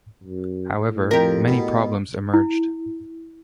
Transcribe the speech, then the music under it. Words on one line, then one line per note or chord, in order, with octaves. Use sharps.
However, many problems emerged.
F#2
A2
F2 G4 A#4
B2
E4